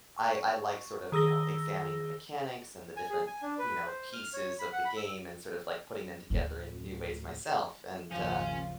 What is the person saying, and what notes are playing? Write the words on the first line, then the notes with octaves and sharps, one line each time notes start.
I I like sort of, you know, examining the mechanics and the different, you know, pieces of the game and sort of like putting them together in new ways myself, and, uh,
C#6
D#3 G#4 E6 A#6 G7
G#5
G#4
G#5
D4
B4
C5
F6
C#5
B5
F#5
B5
E6
D2 A2
G#1 D#2 C#3 F3 C#4 F4